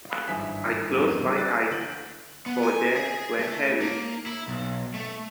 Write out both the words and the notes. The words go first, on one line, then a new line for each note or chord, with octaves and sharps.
I closed my eyes, for they were heavy.
F5 B5 D#6 E6 F#6
G#1 G2 E3 E5 G#5 B6
G1 E2 G#2
C#3 F#3 G3
B4 D5 D6 F#6 A6
D2 G6 D7 F#7
B3
G#5
G#4
A3
A#3
E4
B1
A3